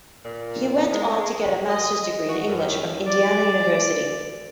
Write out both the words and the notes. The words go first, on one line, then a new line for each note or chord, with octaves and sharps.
He went on to get a master's degree in English from Indiana University.
A#2
G#3
D#5
F#4
F#2
D5